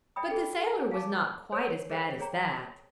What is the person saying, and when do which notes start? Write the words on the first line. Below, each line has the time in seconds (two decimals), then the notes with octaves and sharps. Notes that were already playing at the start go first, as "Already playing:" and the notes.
But the sailor was not quite as bad as that.
0.16 D5 E5 G5 B5 D#6
0.30 G#4 A4 G5
0.91 F5 G#5 A5 D6
1.52 C5 C#5 G#5
1.90 G#4 A#4 C5 F5 G5
2.19 G#4 C#5 D5 G5 A#5